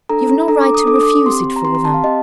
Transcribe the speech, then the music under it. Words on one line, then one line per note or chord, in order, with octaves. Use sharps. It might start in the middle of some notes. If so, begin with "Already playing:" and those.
You've no right to refuse it for them.
D4 A4 A#5
D4 A4 A#5
D6
D#6
D4 A4 D6
D#6
D6
C4 G4 C6
A#5
C4 G4 C6
C6
A5
F5
C4 G4 D#5